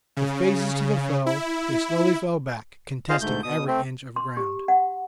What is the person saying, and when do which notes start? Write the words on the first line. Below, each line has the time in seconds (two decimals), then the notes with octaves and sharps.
With faces to the foe, they slowly fell back, contesting every inch of ground.
0.17 C#3
1.26 E4
3.09 F4 G#4 C5 D#5 F5
3.21 D2 G#2 A3 G6
3.43 B2 D#6
3.67 A3 C4
4.16 C6
4.37 G4
4.68 F#5